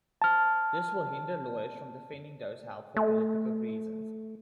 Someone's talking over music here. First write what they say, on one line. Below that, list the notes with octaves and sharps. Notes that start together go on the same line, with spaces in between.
This will hinder lawyers from defending those held for political reasons.
A5 F6
A3